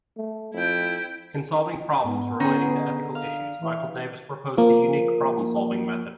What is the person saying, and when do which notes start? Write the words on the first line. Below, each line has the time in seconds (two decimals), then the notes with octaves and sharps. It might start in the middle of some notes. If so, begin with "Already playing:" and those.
In solving problems relating to ethical issues, Michael Davis proposed a unique problem-solving method.
0.17 A3
0.54 F2 E4 G5
2.05 G#2 B3
2.40 D3 C#4 D#4 G#4
3.15 F5
3.60 E3
4.58 F3 A#3